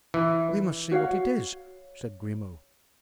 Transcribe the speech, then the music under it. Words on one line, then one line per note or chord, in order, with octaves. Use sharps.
"We must see what it is," said Grimaud.
E3
F#4 C#5 F5 F#5